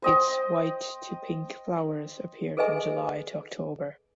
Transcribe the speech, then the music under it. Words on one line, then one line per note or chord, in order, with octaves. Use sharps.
Its white to pink flowers appear from July to October.
C5 D#5 G5
G#4 A4 B4 D#5 E5 G#5